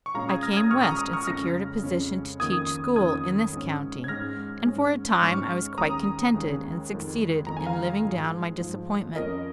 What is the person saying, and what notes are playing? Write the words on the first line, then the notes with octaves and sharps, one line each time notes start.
I came west and secured a position to teach school in this county, and for a time I was quite contented and succeeded in living down my disappointment.
C#6
A#2 G#3 C#4 F5 A#5
D#6 G#6
F6 A#6
D#6 G#6
A#2 G#3 C#4 C#6 F6
A#5 D#6
A#5 D#6
C#6 F6
F2 C#3 G#3 C#4 F6 A#6
F2 C#3 G#3 C#4
F2 D#3 A#3 C#4 D#6 G#6
F2 D#3 A#3 C#4 D#6 G#6
G#2 G#3 C#4
G#6
G#2 G#3 C#4 F6 A#6
G#2 G#3 C#4
G#2 G#3 C#4 C#6 F6
D#2 D#3 G#3 C#4 A#5 D#6
D#2 D#3 G#3 C#4
F2 D#3 G#3
F2 D#3 G#3 A#5
G#5
F5 A#5
G#2 F3 G#3
G#2 F3 G#3
F2 F3 C#4 A#4 D#5